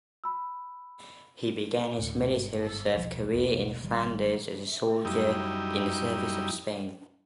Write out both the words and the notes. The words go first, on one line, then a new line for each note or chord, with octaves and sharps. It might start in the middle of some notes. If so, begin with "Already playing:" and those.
He began his military serve career in Flanders as a soldier in the service of Spain.
B5 E6
D2 A2
G1 G#2
D#1 B1 F3
B1 E2 A#3
G#1 D#3 G3
F#2 G3 D#4 E4